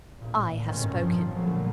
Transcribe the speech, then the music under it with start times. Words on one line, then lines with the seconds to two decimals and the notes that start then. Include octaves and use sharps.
I have spoken.'
0.18 A1 A#2
0.65 G1 G#2 B2 D#3 C4 C#4
0.93 G2 A#2 F3
1.34 A#2 D3 F#3 G3 A3 A#3